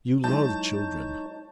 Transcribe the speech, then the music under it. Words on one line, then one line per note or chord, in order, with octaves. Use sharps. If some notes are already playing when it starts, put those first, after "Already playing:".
You love children.'
F#3 G#3 D#4 E4 C#5 A5 G6